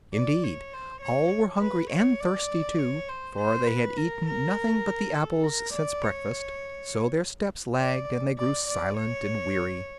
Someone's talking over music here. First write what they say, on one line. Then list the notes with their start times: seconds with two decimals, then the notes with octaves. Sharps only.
Indeed, all were hungry, and thirsty, too; for they had eaten nothing but the apples since breakfast; so their steps lagged and they grew silent and weary.
0.14 D5
0.44 C#5
0.74 C5
1.02 C#5
1.61 B4
1.91 C#5
2.20 D5
2.79 C#5
3.09 C5
3.38 C5
3.67 B4
3.97 A#4
4.26 A#4
5.15 A4
5.44 A#4
5.74 D5
6.03 C#5
7.80 D5
8.38 D5
8.68 D5
8.98 C#5